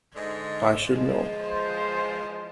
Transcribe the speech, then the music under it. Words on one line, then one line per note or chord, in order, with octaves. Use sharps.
I should know.
G#2 D3 G#3
E2 F3 G#3
C5